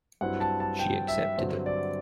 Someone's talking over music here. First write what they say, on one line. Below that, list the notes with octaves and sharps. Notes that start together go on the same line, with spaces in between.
She accepted it.
G2 F#3 C4 E4 F#5
A5
A5
G5
E5
G2 D3 F#3 C4
D5